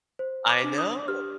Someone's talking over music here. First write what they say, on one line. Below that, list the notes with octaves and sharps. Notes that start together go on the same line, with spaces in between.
I know.
C5
D6
D4
D#6
G4 F6